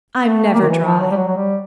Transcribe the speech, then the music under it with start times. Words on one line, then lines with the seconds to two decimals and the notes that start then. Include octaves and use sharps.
I'm never dry.
0.21 A3
0.53 A#3
0.61 D#3
0.69 E3
0.84 F3
1.00 F#3
1.11 G3
1.16 F#3
1.27 F#3
1.37 G3